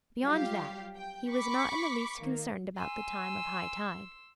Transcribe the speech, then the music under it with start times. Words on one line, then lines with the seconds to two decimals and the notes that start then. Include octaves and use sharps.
Beyond that he was not in the least concerned about the time of high tide.
0.21 F#3 G3 F4 G4 F5
0.96 G5
1.30 B5 C#6 D6 B6
2.19 D#3 A#3
2.77 G#5 C6 E6